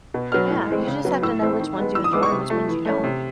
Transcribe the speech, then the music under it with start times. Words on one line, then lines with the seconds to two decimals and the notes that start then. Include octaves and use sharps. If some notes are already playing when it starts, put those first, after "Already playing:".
Yeah, you just have to know which ones you enjoy and which ones you don't.
0.14 B2
0.32 F#3 B3 F6
0.50 A2
0.68 E3 G#3 C4
0.87 C#3
1.05 F#3 B3
1.22 A2 E6
1.40 E3 A3 C4
1.59 D#3
1.77 G#3 B3
1.95 E3 E6
2.04 D#6
2.13 G#3 B3 D6
2.23 C#6
2.31 C3
2.50 F3 A3
2.68 E3
2.85 A3 C#4
3.04 C3